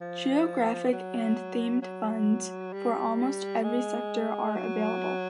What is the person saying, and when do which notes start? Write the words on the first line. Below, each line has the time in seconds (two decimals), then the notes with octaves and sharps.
Geographic and themed funds for almost every sector are available.
0.01 F3
0.92 F#3
1.82 F#3
2.73 G3
3.64 G#3
4.55 F#3